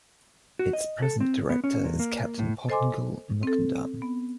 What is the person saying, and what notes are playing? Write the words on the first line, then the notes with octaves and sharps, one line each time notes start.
Its present director is Captain Pottengal Mukundan.
F#4
D#5
A4
C4
B3
C#4
E2
A#3
A2
A4 C5 D#5 G#5 C6 D6
C4 A4
B3